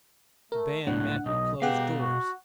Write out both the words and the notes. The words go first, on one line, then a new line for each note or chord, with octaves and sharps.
The band met with closed doors.
A3 A#4
C#2 A2 D4 F#5
B1 D#5
B2 B3 G4 G#4 F5 F#5
F#4